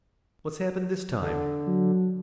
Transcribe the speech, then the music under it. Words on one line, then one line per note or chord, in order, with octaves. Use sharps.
"What's happened this time?"
D3
F#3